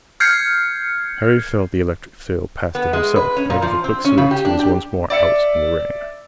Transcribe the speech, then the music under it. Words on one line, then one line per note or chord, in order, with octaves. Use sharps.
Harry felt the electric thrill pass to himself, and with a quick salute he was once more out in the rain.
F6 G6 G#6 C7 C#7
B3
G#3
B4
C#4
A#2
F3
C4
C#4
C#3
G4
D4
G4
D5 E5 C#7